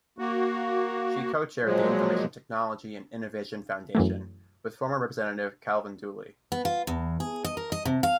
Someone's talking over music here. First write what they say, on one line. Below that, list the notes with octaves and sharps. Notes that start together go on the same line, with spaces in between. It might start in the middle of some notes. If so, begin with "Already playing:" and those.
She co-chaired the Information Technology and Innovation Foundation with former Representative Calvin Dooley.
A#3 F#4
A#2 F3 F#3 G#3
F#2 E3 F#3 A3
B3
F4
E2
G#4
D#5
A#4
D#5
C3
F5